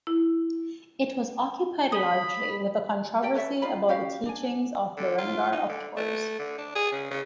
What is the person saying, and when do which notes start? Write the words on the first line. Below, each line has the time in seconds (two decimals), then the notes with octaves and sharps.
It was occupied largely with the controversy about the teachings of Berengar of Tours.
0.07 E4
1.92 B5 D#6
3.22 G4 D5 G5
3.34 A4 B4 C#5 E5
3.62 D#4 F4 F5 B5
3.89 C#4 F#4 G4 F5
4.25 D4 G#5
4.97 D3
5.18 F4
5.52 D#4
5.69 D3
5.97 A3
6.39 D3
6.58 D4
6.76 G#4
6.92 C#3
7.11 C#3